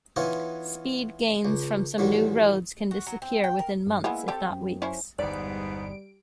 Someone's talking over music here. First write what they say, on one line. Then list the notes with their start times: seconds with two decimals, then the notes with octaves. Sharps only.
Speed gains from some new roads can disappear within months, if not weeks.
0.16 E3 B3 D#4 F4 C#5 D#5
1.45 C#2
1.98 A1 D#3 F#3 G3
2.91 F#4
3.07 F#3
3.22 C4
3.44 G5
3.59 A#4
3.86 G2
4.04 G#3 A#3 B3 E4
4.28 C4 G4 A4
4.50 F#2
4.82 C#4 E4 C5
5.19 G1 E2 G#2 G3 B3 D5 D7